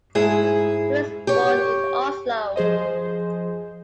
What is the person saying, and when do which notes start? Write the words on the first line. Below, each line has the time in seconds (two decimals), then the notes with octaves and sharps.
He was born in Oslo.
0.15 G#2 E4 G#4
1.27 G4 C#5
2.56 F3 G#4 C5 D#5